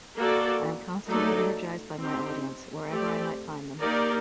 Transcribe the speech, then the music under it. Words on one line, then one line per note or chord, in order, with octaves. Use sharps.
I am constantly energized by my audience - wherever I might find them.
A#3 F#4 A4 D5
F#3 A3 D#4 A4 D5
C4 D#4 G4
A3 C4 G4 D5
A#3 D#4 G4 A#4 D5